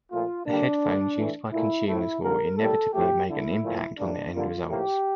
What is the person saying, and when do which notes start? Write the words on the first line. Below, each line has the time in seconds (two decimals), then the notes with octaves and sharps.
The headphones used by consumers will inevitably make an impact on the end results.
0.11 A#2 F3 A3 F4
0.46 D3 G3 A#3 D4
0.81 D3 A3
1.17 A2 E3 A3
1.52 A#2 A3 E4
1.87 A2 F3 A3 E4
2.22 D3 G3 A#3 A#4
2.57 A2 G3 A#3 A4
2.93 A2 F3 A3 G4
3.28 D3 A3 E4
3.63 A#2 F3 A3
3.98 A2 E3 G3 A#3 D4
4.34 D3 G3 A#3 F4
4.68 A2 F3 A#3 G4